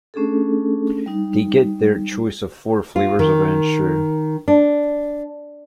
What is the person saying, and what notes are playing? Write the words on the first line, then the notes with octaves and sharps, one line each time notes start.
They get their choice of four flavors of Ensure.
A3 C#4 D4 G#4 A4
G3 D#4
F4
D#3
D4